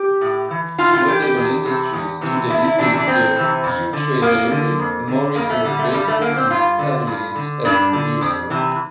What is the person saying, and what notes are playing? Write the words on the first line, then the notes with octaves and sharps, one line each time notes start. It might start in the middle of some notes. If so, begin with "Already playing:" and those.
Notable industries today include The Yew Tree Dairy, Morris's Bakery and Staveley's egg producer.
Already playing: G4
A2
E3
A2 F4
F4
E3 G4
G4
E2
C3 E3
E2
C3 E3
E2 E4
E4
C3 E3 D4
D4
E2 C4
C3 E3
F2
D3
F2 A#3
D3
F2
D3
F2 A#3
A3
D3 G3
A3
G2 G3
A3
D3 A#3
C4
G2 F4
D3
G2
D3
G2 D4
D3
F2
C3 E3